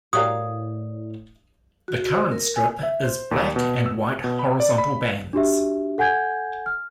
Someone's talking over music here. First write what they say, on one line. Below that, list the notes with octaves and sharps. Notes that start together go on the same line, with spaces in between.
The current strip is black and white horizontal bands.
A2 F#4 G4 A#4 C#5 D5 F5 D#6
F#4
C5
A#4
G#5
E5
C5
D#2
B2
E6
B2
B5
D5
B5
D4 F#4 G4 E5
A4 F#5 G#5 G6 G#6
F6